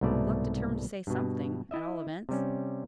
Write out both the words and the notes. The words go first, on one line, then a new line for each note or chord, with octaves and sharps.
Gluck determined to say something at all events.
C2 G#2 B2 A3 D5
G2 B2
E4 D#5 E5
C3 G3 C#4